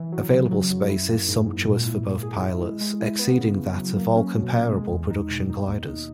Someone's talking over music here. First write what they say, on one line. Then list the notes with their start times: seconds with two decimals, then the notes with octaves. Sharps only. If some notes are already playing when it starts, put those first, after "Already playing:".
Available space is sumptuous for both pilots, exceeding that of all comparable production gliders.
Already playing: E3
0.12 F#3
0.31 C#3
0.51 F#3
0.70 F#2
0.89 E4
1.09 A#3
1.28 G#2
1.46 G#2
1.66 A#2
1.86 E4
2.04 A#3
2.23 G#4
2.42 E4
2.62 G#3
2.81 G#3
3.01 E4
3.19 B3
3.38 C#3
3.58 C#3
3.76 F#3
3.96 A#3
4.16 C#4
4.35 B2
4.54 A#3
4.72 G#3
4.91 E2
5.11 D#4
5.31 B2
5.50 D#4
5.69 D#2
5.88 D#4